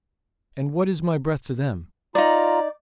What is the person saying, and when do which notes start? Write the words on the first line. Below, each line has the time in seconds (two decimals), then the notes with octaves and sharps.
And what is my breath to them?
2.15 D#4 F4 D5 A#5